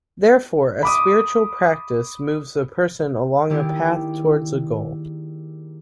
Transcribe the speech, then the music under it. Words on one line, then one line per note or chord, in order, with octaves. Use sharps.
Therefore, a spiritual practice moves a person along a path towards a goal.
B5 D6 D#6
D#3 A#3 E4 G4 G#4 D5